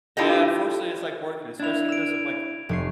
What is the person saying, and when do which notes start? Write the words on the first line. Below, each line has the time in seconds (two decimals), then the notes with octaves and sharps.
Yeah, unfortunately, it's, like, working, especially 'cause of, like,
0.17 D4 E4 F4 G4 A4 D#5
1.60 D4 E4 G#6 F7
1.88 E6 D7 E7
2.69 F1 C#5 C7